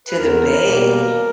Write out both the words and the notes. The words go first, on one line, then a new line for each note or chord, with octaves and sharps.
to the bay.
B4
E2 A#4
B2 G3 A#3